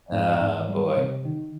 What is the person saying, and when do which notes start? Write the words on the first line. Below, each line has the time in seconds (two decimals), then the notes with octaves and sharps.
Oh boy.
0.12 G#2
0.40 G#2
0.68 G3
0.97 C3
1.25 D#3